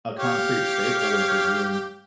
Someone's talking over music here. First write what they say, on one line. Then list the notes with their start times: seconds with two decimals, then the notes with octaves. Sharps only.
a concrete staple in cuisine.
0.18 G4 C#5 F5